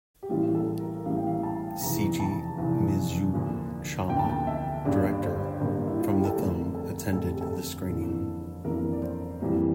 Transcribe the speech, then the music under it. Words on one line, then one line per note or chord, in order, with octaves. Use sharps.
Seiji Mizushima, director from the film, attended the screening.
G4
A1 A2 E3 G3 A#3 F4
A4
A#4
A1 A2 E3 G3 A#3 F5
G5
F5
A5
F1 E2 E3 A#5
A5
F1 E2 E3
D2 D3 F3 A#3
D2 D3 F3 A#3 G5
A5
G5
E5
G1 G2 D3 G3 A#3 D5
C5
G1 G2 D3 G3 A#3 A#4
E4
F4
G4
A4
F2 D3 A3 A#4
A4
F2 D3 A3 A4
G4
A4
G1 F2 E3 A#3
G1 F2 E3 A#3 A#4
D5
C5
F2 E3 G3 A#3